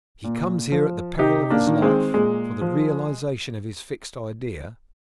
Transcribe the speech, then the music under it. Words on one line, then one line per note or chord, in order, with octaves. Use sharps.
He comes here at the peril of his life, for the realization of his fixed idea.
A#2
F3
C3 D#4 G4
A#3 D4
D#3
G#3 C4
A#2 G#3
F3